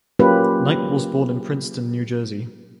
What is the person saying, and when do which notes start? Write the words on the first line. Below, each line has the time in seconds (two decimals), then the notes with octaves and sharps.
Knight was born in Princeton, New Jersey.
0.19 F#3 A#3 C#4 F4 G4 B4